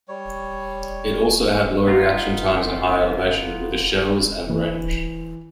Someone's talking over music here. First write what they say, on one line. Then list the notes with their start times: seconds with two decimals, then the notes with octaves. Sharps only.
It also had low reaction times and high elevation, with a shells and range.
0.08 G3 C#5
1.87 B3 D#4 F4
4.49 E3